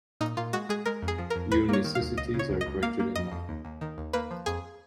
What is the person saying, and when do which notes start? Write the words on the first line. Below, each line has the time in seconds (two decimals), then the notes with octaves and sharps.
Your necessities are greater than mine.
0.21 A#2 D#4
0.37 A#2 F4
0.53 G#3 F#4
0.69 G#3 G#4
0.85 G#3 A#4
1.02 F2
1.08 G#4
1.18 F3
1.30 A#4
1.35 F2
1.52 D#2 B4
1.69 A#3 C#5
1.84 D#3
1.95 F5
2.01 D#2
2.17 C#2 D#5
2.34 C#3
2.39 C#5
2.49 C#2
2.61 D#5
2.66 C#2
2.83 A#3 F5
3.00 A#3
3.15 F2 D#5
3.32 F2
3.49 D#2
3.65 D#2
3.81 D#3
3.98 D#2
4.13 A#3 B4
4.31 F3
4.46 F2 G#4